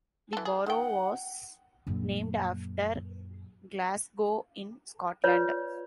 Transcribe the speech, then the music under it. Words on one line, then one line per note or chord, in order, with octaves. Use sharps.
The borough was named after Glasgow, in Scotland.
E3 A4
G#4
D#3 F#5 G5
A#1 F#2
F4 B4 C#5 D5